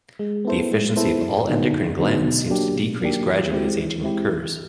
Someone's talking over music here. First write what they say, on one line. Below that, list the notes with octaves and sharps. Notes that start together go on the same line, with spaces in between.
The efficiency of all endocrine glands seems to decrease gradually as aging occurs.
G#3
B3 E4 A4 C5
G#3
B3 E4 A4 C5
F#2
D3 F#3 B3 D#4
F#2
D3 F#3 B3 D#4
B2
F#3 A#3 D4 G4
B2
F#3 A#3 D4 G4
E3
G#3 C4 E4 G4
E3
G#3 C4 E4 G4
E3